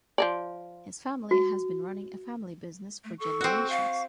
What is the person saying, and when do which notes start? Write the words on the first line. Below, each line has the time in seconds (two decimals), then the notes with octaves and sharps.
His family has been running a family business for generations.
0.18 F3 A#4 D5
1.31 F#4
3.04 A3
3.20 A4 C#6
3.41 C4 F#4
3.70 F5